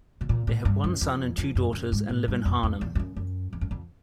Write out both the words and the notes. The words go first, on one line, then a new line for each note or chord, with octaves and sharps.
They have one son and two daughters and live in Harnham.
B2
A#2
A2
G2
F#2
F2
F2
F#2
F#2
G#2
A2
G2
F2
F2
E2
F2
F#2
F#2
F2
F#2
F2